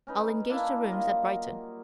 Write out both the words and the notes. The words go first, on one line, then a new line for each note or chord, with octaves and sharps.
I'll engage the rooms at Brighton.
C#4 D#4 B4
A#3 D4 E4
F#3 G3 F4 D#5